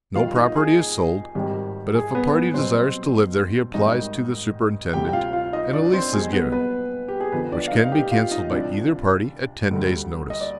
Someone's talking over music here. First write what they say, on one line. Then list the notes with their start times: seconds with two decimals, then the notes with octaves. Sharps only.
No property is sold, but if a party desires to live there he applies to the Superintendent, and a lease is given, which can be cancelled by either party at ten days' notice.
0.15 F2 D#3 G3 F4 F5
0.35 D#4 D#5
0.56 G#4
1.35 G#1 G2 D#3 G3 G4
1.95 G#4
2.15 B3 B4
2.35 B3 B4
2.54 B1 B2 G3 C4 C5
3.74 G#1 G#2 D#3 G3 D#4 D#5
4.93 D2 C3 G3 G4 G5
5.09 G5
5.13 F4 F5
5.33 F4 F5
5.53 D#4 D#5
5.73 D4 D5
5.93 C4 C5
6.13 B1 B2 G3 G#4
6.33 B3 B4
6.52 B3 B4
7.08 G4
7.20 G#4
7.32 F2 D3 F3 B3 B4
7.52 D4 D5
7.68 F5
7.72 D#4 D#5
7.84 F5
7.92 G4 G5
8.12 F4 F5
8.31 D#4 D#5
8.51 C2 C3 F3 D4 D5
9.71 D2 D3 G3
10.30 D#5
10.41 D5